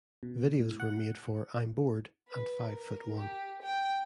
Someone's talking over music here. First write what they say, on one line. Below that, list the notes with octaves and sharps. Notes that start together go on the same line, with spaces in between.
Videos were made for "I'm Bored" and "Five Foot One".
B2
A2
F#5
B4
A#4
G4
G5